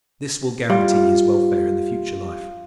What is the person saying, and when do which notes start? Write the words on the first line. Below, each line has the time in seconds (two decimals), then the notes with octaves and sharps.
This will guarantee his welfare in the future life.
0.70 G3 F4